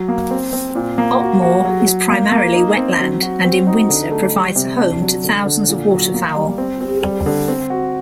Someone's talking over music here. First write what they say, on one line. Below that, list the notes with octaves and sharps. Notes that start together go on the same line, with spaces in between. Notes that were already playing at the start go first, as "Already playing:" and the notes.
Otmoor is primarily wetland and in winter provides a home to thousands of waterfowl.
Already playing: F#3
A#3
C4
C4
A#2
A#3
F#4
F#4
F#3
F#3
A#3
A#3
D#4
C4
F#3
F#4
C4
D#4
D3
A3
G3
C3
D4
F#3
D3
D3
A#2
F#3
A#3
G3
C4
C4
G3
D3
C4
F#4